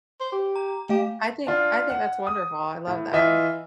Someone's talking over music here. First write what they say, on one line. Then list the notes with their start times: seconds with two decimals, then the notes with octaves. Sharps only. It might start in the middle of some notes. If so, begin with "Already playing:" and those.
I think I think that's wonderful, I love that.
0.20 C5
0.32 G4
0.56 A#5
0.89 A3 G4 F5
1.47 D4 F4
1.90 F#5
2.27 D#6
2.87 A2
3.12 E3 F4 D#5 E5